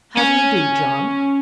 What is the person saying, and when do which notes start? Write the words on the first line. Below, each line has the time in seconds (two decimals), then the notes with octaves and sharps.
"How do you do, John?"
0.17 C#4